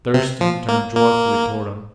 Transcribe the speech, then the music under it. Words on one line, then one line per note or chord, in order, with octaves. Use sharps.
Thurston turned joyfully toward him.
C3
F3
A#3
A#3